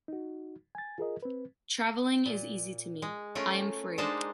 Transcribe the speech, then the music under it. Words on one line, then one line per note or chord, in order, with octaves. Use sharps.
Traveling is easy to me... I am free.
D#4 F#4
G#5 A6
F4 G#4 A#4 D#5
C4 B4
A#2
G#3
A3 C#4 F4 A#4
G#3 A#3 D4 D#4 C5 A5